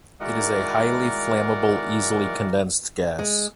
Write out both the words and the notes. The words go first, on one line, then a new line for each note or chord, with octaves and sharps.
It is a highly flammable, easily condensed gas.
D#3 G#3 E4 F#4 A#4 D5
G#3